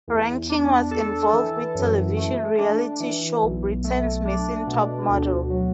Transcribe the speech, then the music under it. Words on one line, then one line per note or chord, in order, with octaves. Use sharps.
Rankin was involved with television reality show Britain's Missing Top Model.
E2
D4
A4
E3
F#2
A3
D4
E3
B1
A3
D4
B2
D2
F#3